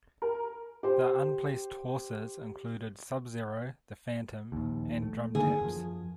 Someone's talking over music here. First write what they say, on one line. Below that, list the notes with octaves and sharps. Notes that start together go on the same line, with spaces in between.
The unplaced horses included Subzero, The Phantom and Drum Taps.
A#4
G4 C5
A#1 D#2
A3
D3 D#3 A#3 G#4
F#2 F3